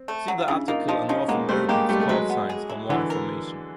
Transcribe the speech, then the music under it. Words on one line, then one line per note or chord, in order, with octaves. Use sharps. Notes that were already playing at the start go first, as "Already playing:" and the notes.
See the article on North American call signs for more information.
Already playing: C4
A3
F#3
F4
C#3 D4 E4
A#3 D#4 F4
F3 D#4 F4
F3 C#4 D#4
G#3 A#3 B3
G3 A3 C5
G#3 A#3 G4
G3 A3 G4
A3
F#3 G#3 B4
B3
G#4
E4
D3 E3 B3
A#4